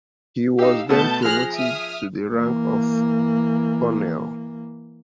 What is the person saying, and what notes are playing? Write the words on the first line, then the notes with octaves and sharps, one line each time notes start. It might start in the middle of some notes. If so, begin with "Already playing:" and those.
He was then promoted to the rank of colonel.
D#4 G4 F5 E6
B2 A3 B3 A5 G6
F3 G#4 F6 F#6 A#6
E5 D#6 F6
E3 A#3